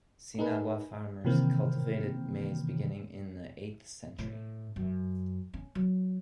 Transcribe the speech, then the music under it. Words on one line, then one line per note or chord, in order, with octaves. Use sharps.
Sinagua farmers cultivated maize beginning in the eighth century.
D#4 G#4 A#4 B4
C3 D#3 E3 A#3 C4
A2
F#2
C#4
F#3